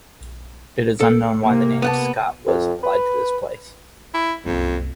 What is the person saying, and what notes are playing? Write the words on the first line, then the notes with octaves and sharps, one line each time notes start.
It is unknown why the name "Scott" was applied to this place.
A4
C3 A#3
B3 F#5 A5
F2
B4
E4
F#1 C2 F2